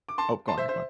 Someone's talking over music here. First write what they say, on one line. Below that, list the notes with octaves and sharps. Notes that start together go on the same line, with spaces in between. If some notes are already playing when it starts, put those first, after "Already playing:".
oh, go on, go on.
D6
A5 C6
A5 C6
C5 E5
C5 E5